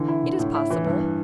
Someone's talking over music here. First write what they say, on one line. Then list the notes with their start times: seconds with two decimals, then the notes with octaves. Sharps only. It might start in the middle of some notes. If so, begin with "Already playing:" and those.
"It is possible."
Already playing: D3 E3
0.08 E4
0.24 D3
0.39 A2
0.55 E4
0.70 E3
0.86 G2